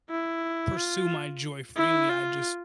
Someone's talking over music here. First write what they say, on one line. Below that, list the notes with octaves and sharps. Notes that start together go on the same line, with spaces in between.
pursue my joy freely, I just
E4
F4
E4
F4